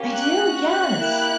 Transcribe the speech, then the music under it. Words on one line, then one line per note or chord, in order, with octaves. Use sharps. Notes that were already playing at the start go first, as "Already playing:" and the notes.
I do, yes,
Already playing: A#3 C#4 G4
F#6
C#4 F#4
F#6
A#3 E4 G4